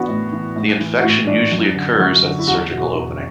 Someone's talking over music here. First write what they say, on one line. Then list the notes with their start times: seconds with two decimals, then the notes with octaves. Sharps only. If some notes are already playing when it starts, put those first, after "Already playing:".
The infection usually occurs at the surgical opening.
Already playing: E3 B3 D4 F#4
0.08 A2
0.32 E3
0.56 A2
0.80 E3
1.00 F#4
1.04 A2 E4
1.27 E3 D4
1.52 F#2
1.75 D3
1.99 F#2 F#4
2.23 D3
2.39 E4
2.47 E2 F#4
2.71 B2
2.78 F#4
2.95 E2